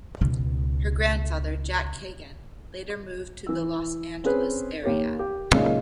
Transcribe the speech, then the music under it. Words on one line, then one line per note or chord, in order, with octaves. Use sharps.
Her grandfather, Jack Kagan, later moved to the Los Angeles area.
C#2 B2
E3 E6
C4 C#4 G#4 B4 C5
D#2 G4 A#4 C#5
G4
F#2 A#2 C#3 G#3 C#4 D#4